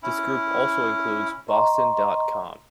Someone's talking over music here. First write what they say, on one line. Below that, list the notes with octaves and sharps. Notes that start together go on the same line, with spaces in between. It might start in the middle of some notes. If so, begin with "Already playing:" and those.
This group also includes boston dot com.
C#4 E4
D#5 A#5 C6 C#6